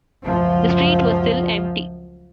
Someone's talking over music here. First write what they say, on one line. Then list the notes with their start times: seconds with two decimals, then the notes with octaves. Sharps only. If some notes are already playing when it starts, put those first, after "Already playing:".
The street was still empty.
0.23 C#2 F#2 F3